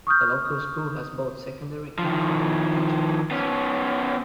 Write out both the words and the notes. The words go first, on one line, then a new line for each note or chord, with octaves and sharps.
The local school has both secondary and primary teaching units.
C#6 D#6 F6 G6
D#3 F3
B3 C#4